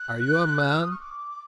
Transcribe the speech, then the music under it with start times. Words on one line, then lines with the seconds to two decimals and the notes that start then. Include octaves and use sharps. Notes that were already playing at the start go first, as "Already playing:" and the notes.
Are you a man?
Already playing: F#6
0.70 F6
0.80 D#6
0.91 C#6
1.00 D6